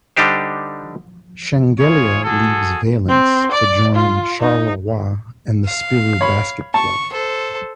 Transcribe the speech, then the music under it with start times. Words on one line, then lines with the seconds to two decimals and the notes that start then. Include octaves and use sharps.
Shengelia leaves Valence to join Charleroi and the Spirou Basket Club.
0.17 D3 G3 D4 D#4 G4 C5
1.79 F4 G#4 C#5
2.24 F#4 G#4 A4
3.08 C4
3.51 D5
3.95 F4
4.40 D#4
5.65 F5
6.21 C#5 B5
6.74 A5 C#6
7.12 A4 C5